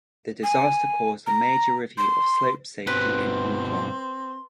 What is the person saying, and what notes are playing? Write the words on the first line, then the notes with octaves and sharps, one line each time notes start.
This disaster caused a major review of slope safety in Hong Kong.
G#5
A#5
C6
G2 B2 C4 B4 C6